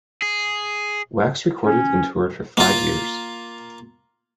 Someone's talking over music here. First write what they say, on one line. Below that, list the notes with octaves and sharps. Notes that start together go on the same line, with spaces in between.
Wax recorded and toured for five years.
G#4
C#4
A#3 F4